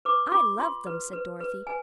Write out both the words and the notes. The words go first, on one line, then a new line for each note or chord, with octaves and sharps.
"I love them," said Dorothy.
B4 D6
F4 D6
F4 C6
B4
B4
B4
B4 G#5